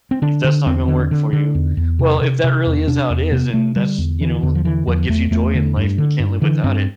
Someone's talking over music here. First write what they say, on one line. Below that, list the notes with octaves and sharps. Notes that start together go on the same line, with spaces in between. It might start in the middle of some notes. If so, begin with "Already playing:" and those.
If that's not gonna work for you" Well, if that really is how it is and that's, you know, what gives you joy in life and you can't live without it,
C4
D3 D4
D3
E2 C4
D3
D3
D3
E2
E2
C3
C3
C3
E2
C3 D4
E2
C3 B3
C3 A3
D3 G3
E2
D3 E3
E2 D3
F3
D3 E3
E2 F3
E2 A3
E2 A3
D3
G2
D3
G2
D3 E3
G2 C4